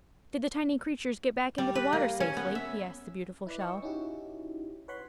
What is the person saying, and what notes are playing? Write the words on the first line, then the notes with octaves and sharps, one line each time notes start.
"Did the tiny creatures get back into the water safely?" he asked the beautiful shell.
G3
B4
A#3
C#4
B3
E5
E4 B4 D5
D#5 G5 C#6 E6
C#4 D#4 E4 F#4 G4
B4 C#5 F#5 B5 C6